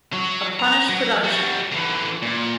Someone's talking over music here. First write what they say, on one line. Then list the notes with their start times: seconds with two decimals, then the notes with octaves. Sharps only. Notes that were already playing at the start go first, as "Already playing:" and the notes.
A Punish Production.
0.13 F#3
0.60 A#5
0.89 F#3
1.24 G3 F#4
1.72 D3 E3
2.22 A#2